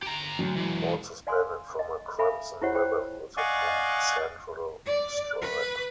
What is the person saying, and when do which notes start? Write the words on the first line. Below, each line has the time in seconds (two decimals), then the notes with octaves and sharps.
All suspended from a crimson ribbon with a blue central stripe.
0.03 G4 A#5
0.39 D2 F#3
0.57 E3 G#3
1.27 D5 F5 G#5 C6
1.79 D#5
2.19 A4 E5 F5 G#5 B5
2.62 E4 F4 G4 C5 C#5 F#5
2.75 C5 G5
3.37 D5 D#5 F5 F#5 G#5 C#6
4.86 D5
5.42 B4